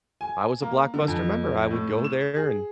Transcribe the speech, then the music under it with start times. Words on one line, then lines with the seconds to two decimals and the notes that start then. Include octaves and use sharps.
I was a Blockbuster member, I would go there, and
0.21 G#5
0.62 A#3
0.94 D3
1.08 F2
1.71 A2
2.04 E7
2.36 G#4